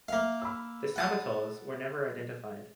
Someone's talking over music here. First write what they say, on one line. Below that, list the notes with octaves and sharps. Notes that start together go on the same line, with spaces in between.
The saboteurs were never identified.
A#3 E5 F5
B5 E6
F#5 A5 D#6